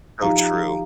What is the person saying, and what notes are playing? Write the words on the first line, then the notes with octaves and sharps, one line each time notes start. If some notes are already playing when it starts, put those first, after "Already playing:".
Oh, true.
F3 D#4 G4 F5 A#5